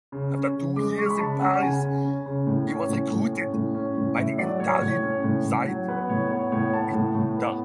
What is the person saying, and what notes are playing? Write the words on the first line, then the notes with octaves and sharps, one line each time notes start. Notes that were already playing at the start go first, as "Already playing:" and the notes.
After two years in Paris he was recruited by the Italian side Inter.
C#3
C#4
C#3
G#3 D6
G#3 C#6
B5
C#3 A5
C#4 F#5
C#3 G#5
C#3
C#4
C#3
A2
C#4
A2
A2
C#4
A2
C#4
A2
A2 E5
F#3 D5
A2 C#5
A2 C#5
C#4
A2
A2
F#3
B3 B4
A2 C#5
B3 C#5
A2 C#5
B3 A5
A2
A2
B3